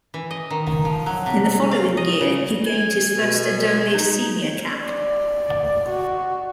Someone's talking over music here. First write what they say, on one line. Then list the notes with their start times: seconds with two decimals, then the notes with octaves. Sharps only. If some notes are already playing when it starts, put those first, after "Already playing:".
In the following year, he gained his first and only senior cap.
0.14 E3
0.31 D#5
0.50 D#3
0.67 D#3
0.85 F3
1.06 F#3
1.26 C3
1.71 F5
1.97 D#5
2.21 C#3
2.67 G#5
3.16 B2
3.94 D#4
4.82 D5
5.89 F#4